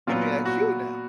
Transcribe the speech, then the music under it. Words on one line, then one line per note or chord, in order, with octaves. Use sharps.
Let me ask you now.
A#2 F#3 B3 F4
F#4